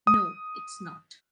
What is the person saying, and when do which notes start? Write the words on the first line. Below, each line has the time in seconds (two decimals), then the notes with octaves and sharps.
No, it’s not.
0.07 D#6